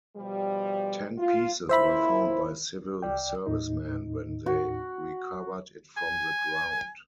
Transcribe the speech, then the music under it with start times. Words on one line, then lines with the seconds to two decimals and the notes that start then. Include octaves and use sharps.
Ten pieces were found by civil servicemen when they recovered it from the ground.
0.16 B2 F3 G3
1.18 F4
1.69 A#2 C#3 E4 C5 E5 B5
3.02 C2 D5 G5
3.46 D#2 A2 D#4
4.46 F#4
5.97 G#5